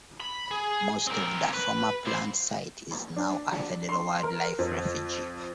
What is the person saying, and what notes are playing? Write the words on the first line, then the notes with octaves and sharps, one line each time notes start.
Most of the former plant site is now a federal wildlife refuge.
B5
G#4
C4 A#4
B4
E4 C5
D4
C6
A#4
F2